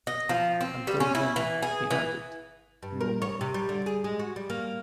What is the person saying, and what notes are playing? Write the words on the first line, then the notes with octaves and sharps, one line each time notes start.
Until then," he added, "no more.
D#5
F3
C4
G3
C#4
E4
E3
G#4
E3
G2
A#4
C#5
C3
G3
D3
G#4
G#3
F#4
G3
A#3